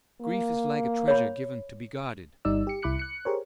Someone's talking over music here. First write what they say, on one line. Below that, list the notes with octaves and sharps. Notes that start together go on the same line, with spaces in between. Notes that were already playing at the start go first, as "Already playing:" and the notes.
Grief is like a treasure given to be guarded.
A#3
C#5 B5
G1 G3 D#4 D5 E6
G4 C#7
C2 E4 B5 D6 F#6 C#7
F#6 C#7
G4 G#4 A#4 C5 C#5